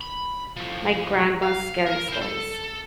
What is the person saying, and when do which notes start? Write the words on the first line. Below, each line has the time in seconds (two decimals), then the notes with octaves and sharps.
my grandma's scary stories,
0.01 B5
0.57 A2 F3
1.43 F5
1.86 A#4
2.08 E4 C5
2.21 A4